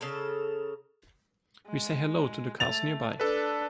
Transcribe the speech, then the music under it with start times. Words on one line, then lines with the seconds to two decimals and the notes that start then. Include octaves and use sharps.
We say hello to the cars nearby.
0.01 C#3 A4 A#4
1.68 G#3
2.60 A3 A6 F7
3.20 D4 A4 B4